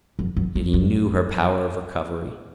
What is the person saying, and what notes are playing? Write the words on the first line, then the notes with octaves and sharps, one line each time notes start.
Yet he knew her power of recovery.
F#2
F#2
F#2
F#2